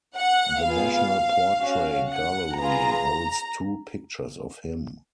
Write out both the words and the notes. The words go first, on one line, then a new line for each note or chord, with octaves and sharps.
The National Portrait Gallery holds two pictures of him.
F#5
B3 F4 G#4 F5
C#4 F#4
F#5
B3 F4 G#4 A#5